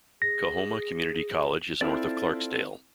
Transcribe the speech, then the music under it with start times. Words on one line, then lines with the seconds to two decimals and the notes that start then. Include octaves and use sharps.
Coahoma Community College is north of Clarksdale.
0.22 G#4 A#6
1.81 C4 E4 F4 A4 D5